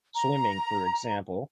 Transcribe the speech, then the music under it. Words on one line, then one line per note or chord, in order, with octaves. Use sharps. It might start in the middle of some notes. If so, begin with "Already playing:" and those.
swimming, for example.
A#5